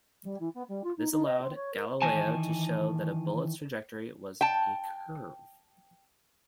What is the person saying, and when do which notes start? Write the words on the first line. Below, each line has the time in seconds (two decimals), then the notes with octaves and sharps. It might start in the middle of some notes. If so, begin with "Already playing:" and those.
This allowed Galileo to show that a bullet's trajectory was a curve.
0.23 G3
0.39 E3
0.54 B3
0.68 G3
0.83 F4
0.97 D#4
1.11 D#4
1.25 D#5
1.41 C4
1.54 C#5
1.73 A#4
2.02 D#3 E3 G#5 A5
4.41 G5 A5